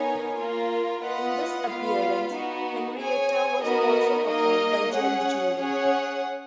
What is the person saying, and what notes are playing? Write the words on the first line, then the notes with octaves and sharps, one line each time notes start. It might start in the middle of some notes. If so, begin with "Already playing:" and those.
In this appearance, Henrietta was also performed by Jerry Juhl.
Already playing: B3 D#4 A#4 C#5 G#5
A#3 F4 A#4
F4 B4 D#5 F#5
B3 F4 B4 F5
B3 D#4 F#4
G#4 C#5 G#5
B3 D#4 F#4 A#4 D#5
A#3 D#4 A#4 D#5
C#4 G#4 C#5 F#5
C#4 G#4 C#5 F#5